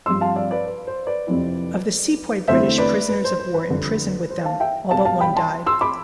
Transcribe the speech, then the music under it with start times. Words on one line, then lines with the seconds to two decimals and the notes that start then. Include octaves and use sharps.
Of the sepoy British prisoners-of-war imprisoned with them, all but one died.
0.06 G2 F3 C4 C6 E6
0.21 F5 A5
0.36 D5 F5
0.51 B4 D5
0.67 B4
0.87 C5
1.07 B4 D5
1.27 F2 C3 F3 C4 E4
2.48 E2 D3 A3 C4 E4 C5 E5
2.78 B4 D5
3.09 B4
3.24 C5
3.39 C5
3.54 B4
3.69 F2 D3 G3
4.30 C5
4.45 F5 A5
4.60 E5 G5
4.91 B2 G3 B3 F5 A5
5.05 F5 A5
5.21 G5 B5
5.36 A5 C6
5.66 C6 E6
5.81 B5 D6